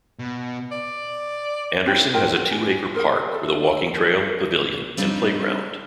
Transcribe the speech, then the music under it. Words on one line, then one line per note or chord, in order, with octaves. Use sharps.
Anderson has a two-acre park with a walking trail, pavilion, and play ground.
B2
D5
C#4 E4 C5 G5
D#4 F4 A#4 G5
F#4 G5
D4 G4 G#5
G4 G#4 A#4 C5
A4 E5
G3 C4 D4 D#4 F4